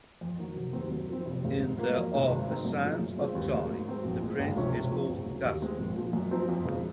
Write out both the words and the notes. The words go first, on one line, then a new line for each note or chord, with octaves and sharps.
In the of "The Sands of Time", the prince is called Dastan.
F2
D#3 F#3
F1
D#2 D#3 F#3 C4
F#2
F3 C4
F1
D#2 C#3 G#3
G#2
F#3 A#3 F4
F2
C3 D#3 G#3 D#4
G#1
G#2 F#3 C4 D#4
F#2
C#3 F3
F#2
C#3 G#3 C4 F4
D#2
C#3 F#3 A#3
G#2
F#3 C4
A#1
A#2 G#3
C#2
C3 F3 G#3 C#4
C3
F3 C4 D#4
C#2
C#3 F#3 C#4
D#2
D#3 G#3 C4
A#1
A#2 F3
F#2
F3 C4 D#4
F2
C#3 F3 G#3